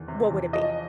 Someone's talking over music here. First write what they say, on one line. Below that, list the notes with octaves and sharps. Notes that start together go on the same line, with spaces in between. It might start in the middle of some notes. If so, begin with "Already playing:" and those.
what would it be?
Already playing: E2 D#3
C3
E2
F3 D#5